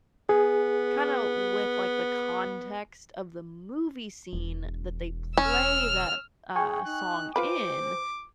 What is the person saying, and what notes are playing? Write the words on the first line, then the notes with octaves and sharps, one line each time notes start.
kinda with, like, the context of the movie scene that they play that, uh, song in,
B3 G#4
E1
C#4 E6 F6
G#4 G5 G#5 C#6
D#4 F#6
F4 B4 C5 B5 D6